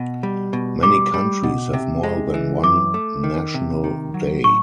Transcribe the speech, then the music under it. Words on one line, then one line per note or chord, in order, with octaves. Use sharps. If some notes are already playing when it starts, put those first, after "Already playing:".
Many countries have more than one national day.
Already playing: B2
G3
B2
G3 D6
G3
B2
C3
G#3
E3
F#2 D6
A3
D#3
C3
D#3
F#3
A2 C#6